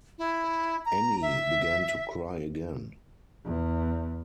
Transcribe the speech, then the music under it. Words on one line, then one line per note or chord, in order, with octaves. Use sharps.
Annie began to cry again.
E4
A#5
E5
E2